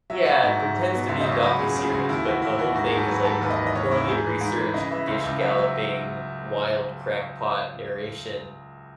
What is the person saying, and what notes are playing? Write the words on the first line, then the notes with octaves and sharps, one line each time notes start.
yeah, it pretends to be a docuseries, but the whole thing is, like, poorly researched, gish galloping, wild crackpot narration.
F#3 E5
F#3 F#5
G#2
G#2
F#3
B2
C#2 E5
D#5
C#2
C#5
F#3 B4
C#3 G#4
C#3 G#4
C#2 F#4
D#2 E4
E3 F#4
D#2 E4
D#2 F#4
G#2 F#4
G#4
G#2
A4
F#3 B4
G#2 A4
D#2 B4
D#5
E3
D#5
D#2 C#5
D#2 E4
G#2 G#4
E3
G#2
E3
C#3 D#5
E3 E5
C#2
C#2
F#3 E5
F#3 E5